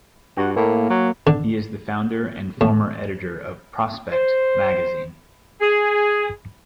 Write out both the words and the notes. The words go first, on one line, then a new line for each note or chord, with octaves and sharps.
He is the founder and former editor of "Prospect" magazine.
G2 F#4
A2 A#3
F#3
D3
A2
C5
G#4